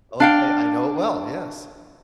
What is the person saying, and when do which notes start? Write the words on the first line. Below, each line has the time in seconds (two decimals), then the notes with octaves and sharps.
Okay. I know it well, yes.
0.20 D4 F5 G5